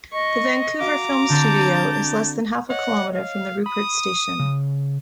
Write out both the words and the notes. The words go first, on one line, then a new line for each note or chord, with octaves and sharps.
The Vancouver Film Studio is less than half a kilometer from the Rupert station.
D#5 C#6
F#4 F5 A#5 D6
D3 C4 A5 G6
C#5 D#5 F#5
F5
B5 D#6
C#3